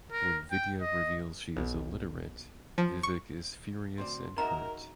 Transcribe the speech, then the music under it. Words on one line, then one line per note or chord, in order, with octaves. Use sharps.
When Vidya reveals she is illiterate Vivek is furious and hurt.
A#4
G5
D#5
B1
F3
C#6
D2 C4 D5 C6
D#4 F#4 G#4 A#4 D#5 E5 F#5 A#5